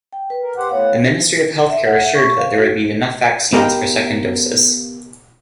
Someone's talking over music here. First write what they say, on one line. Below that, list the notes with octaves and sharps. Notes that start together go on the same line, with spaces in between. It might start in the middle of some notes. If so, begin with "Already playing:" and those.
The Ministry of Healthcare assured that there would be enough vaccines for second doses.
G5
B4
A#4
G4 C5 F#5
A2 B3 C#5 F5 F#5
E5
F#5
E5
C#6
F5
F#4
B3 G4 A#4 D#5 F5 G5